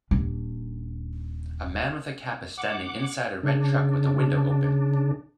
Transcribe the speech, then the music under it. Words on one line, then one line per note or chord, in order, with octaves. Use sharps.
A man with a cap is standing inside a red truck with the window open.
D#1 D4
F#5 D6
C#3 D4